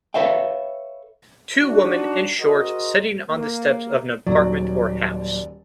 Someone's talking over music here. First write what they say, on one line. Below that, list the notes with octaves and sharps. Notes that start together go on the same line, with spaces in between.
Two women in shorts sitting on the steps of an apartment or house.
A4 B4 C#5 E5 F5 G5
D4 D#4 F#4
F#4 G#4 A#4 C5 D#5
A#3
D#1 D#2 F#3 D5